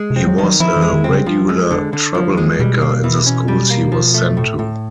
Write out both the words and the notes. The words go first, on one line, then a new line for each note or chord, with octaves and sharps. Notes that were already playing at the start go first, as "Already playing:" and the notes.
He was a regular troublemaker in the schools he was sent to.
Already playing: G#3
C3
C4
F#3
D#3
F#3
F3 E4
E3
G#3
D#3
C4
C#3
F3
G#3
D3
D3
F3
G#3
B2 G3
A#3
E3
C#4
G3
A#3
F3
A3
A2
A2